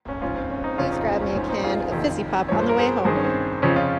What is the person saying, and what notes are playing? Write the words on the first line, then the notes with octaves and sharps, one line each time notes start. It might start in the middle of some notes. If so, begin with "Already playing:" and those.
Please grab me a can of fizzy pop on the way home.
C#4
G#2 F3 C#4 F4
C4
C#4
C4 D#4
F2 C#3 F3 C#4 F4
C4 D#4
C4
C#4
G#2 F3 C#4
C4 D#4
F4 G#4
F2 C3 D#3
G2 F3 C#5
C5
A#4
G#4 C5
G2 D#3 G#4 C5
C#4
C4
F2 C#3 F3 C#4
C#4 F4